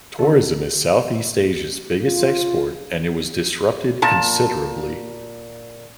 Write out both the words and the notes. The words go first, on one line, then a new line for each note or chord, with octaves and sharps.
Tourism is South-East Asia's biggest export and it was disrupted considerably.
D3 A4
F4
A#2 A5